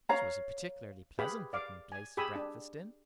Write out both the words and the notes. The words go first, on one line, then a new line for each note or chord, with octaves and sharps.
It was a particularly pleasant-looking place to breakfast in.
C#5 F5 A#5
G4 G#4 B4 F5 B5
D5 F5 D6
G#5
G4 G#4 G#5 B5 D#6 E6
D4